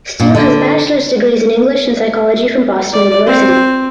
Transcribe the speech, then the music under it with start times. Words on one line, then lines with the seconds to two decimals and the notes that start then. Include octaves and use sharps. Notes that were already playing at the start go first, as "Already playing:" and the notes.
Steele has bachelor’s degrees in English and psychology from Boston University.
0.20 A#2
0.35 D3
2.93 D5
3.27 C4